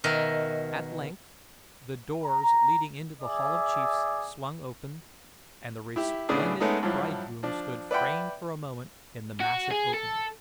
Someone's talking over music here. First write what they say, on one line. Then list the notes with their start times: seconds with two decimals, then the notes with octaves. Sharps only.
At length the doors leading into The Hall of Chiefs swung open, and the resplendent bridegroom stood framed for a moment in the massive opening.
0.04 B2 D#3 A#4 D#5 E5
2.24 A#5
3.22 G#4 D5 E5
5.96 E4 G4 E5
6.29 A2 C#3 B3 D4 G#4
6.60 G#3 A3 B3 C#4 D#4
6.83 G2 F3 F#3 E4
7.43 F3 D4
7.91 B4 D5 E5 F#5 G5 B5
9.40 F#4
9.71 G#4
9.94 A4